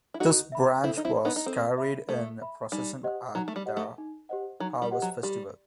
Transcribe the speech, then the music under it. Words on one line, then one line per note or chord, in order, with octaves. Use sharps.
This branch was carried in procession at a harvest festival.
E4
D#4 F#4 A4
E5 B5
C4 E4 A4
D#4
C4 E4
E5 B5
B3 D#4
D#4
C4 A4
E5 B5
A3 A4
E5 B5
G3 D#4
G4 C5 D#5 F#5
F#3 D#4
A3
G3
G4 C5 D#5 F#5
A3
D#4
G4 C5 D#5 F#5
F#3 D#4
G3
G4 C5 D#5 F#5
F#3
G3 G4